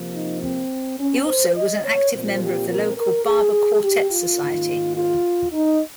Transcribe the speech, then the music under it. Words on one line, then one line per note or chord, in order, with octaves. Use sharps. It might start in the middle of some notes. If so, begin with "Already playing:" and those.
He also was an active member of the local Barber Quartet Society.
Already playing: C3 F3 A#3
D#4
C4
C#4
C5
D#5
C#5
A#2 F3 C4 C5
G4
A#4
A#4
G#4
G4
F4
G#2 D#3 A#3
F4
D#4